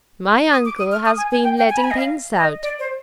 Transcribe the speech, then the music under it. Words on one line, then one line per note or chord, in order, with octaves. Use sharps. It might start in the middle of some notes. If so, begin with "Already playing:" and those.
'My uncle has been letting things out.
D#6
D6
D#6
F6
D#6
G#5
G#5
G5
G5
G#5
B5
G#5
D#5
F5
D#5
D5
C5